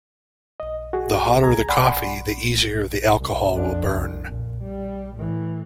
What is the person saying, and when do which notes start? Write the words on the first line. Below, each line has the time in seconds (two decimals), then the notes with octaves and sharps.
The hotter the coffee, the easier the alcohol will burn.
0.60 D#5
0.93 F#4 G#4
1.43 C#2 G#4 A#5 G#6
1.69 D5 F#5 G#5 B5 C6
3.19 C2
3.53 F2 D4
3.94 C2
4.29 A#2
4.64 G3
5.17 A2 E3